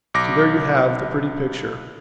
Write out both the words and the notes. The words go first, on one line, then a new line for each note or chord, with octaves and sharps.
So there you have the pretty picture.
B1 D6 A#6